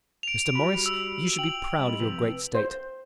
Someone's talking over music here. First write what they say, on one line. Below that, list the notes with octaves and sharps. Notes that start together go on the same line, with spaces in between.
Mr. Morris, you should be proud of your great state.
D7 F7
G3 F4 F#4 B5
E6
G5 F#7
G3 C4 D#5
C2 C3 F3 B4
C5